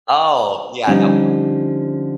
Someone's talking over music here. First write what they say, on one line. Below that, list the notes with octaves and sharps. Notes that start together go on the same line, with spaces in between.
Oh, yeah, no
D3 F3 G3 C#4 D#4